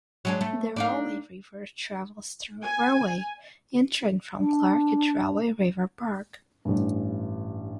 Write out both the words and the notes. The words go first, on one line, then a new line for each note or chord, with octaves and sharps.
The Rahway River travels through Rahway, entering from Clark at Rahway River Park.
F#3 G#3 D4
A3
D4 D#4 F5
G#5
D4
A1 G2